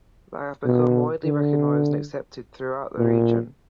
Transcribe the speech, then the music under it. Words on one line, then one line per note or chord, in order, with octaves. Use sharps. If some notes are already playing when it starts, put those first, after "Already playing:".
They have become widely recognized and accepted throughout the region.
B2
D3
A#2